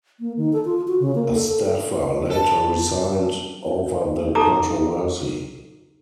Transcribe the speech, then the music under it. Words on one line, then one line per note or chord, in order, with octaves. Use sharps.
A staffer later resigned over the controversy.
A#3
D#3
A4
F4
F#4
C#3
A#3
A4
A4
A4
A4
D#4 G4 A4 A#5 D6 D#6